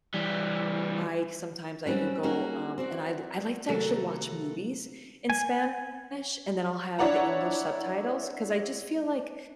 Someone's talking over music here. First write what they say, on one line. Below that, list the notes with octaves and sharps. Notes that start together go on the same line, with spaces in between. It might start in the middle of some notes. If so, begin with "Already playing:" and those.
I sometimes I even go, um, and I I like to actually watch movies in Spanish, and then I'll have the English subtitles, 'cause I just feel, like,
E3 G3
F#3 G3 C4 C#4 F#4
A#3 C#4 D#4 F#4 G#4 A#4
C4 F#4 D5
C3 D#3 F#3 A3 A4 A#4
G#5
D4 E4 C#5 D5 F#5 A#5